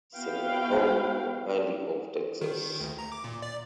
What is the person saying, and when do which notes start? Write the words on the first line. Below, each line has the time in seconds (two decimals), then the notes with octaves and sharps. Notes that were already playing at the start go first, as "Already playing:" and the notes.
Senator Tom Connally of Texas.
0.16 B3 E4 F#4 B4 F5 G5
2.41 D#3
2.80 D2
2.98 A#5
3.12 D6
3.24 A#2
3.42 D5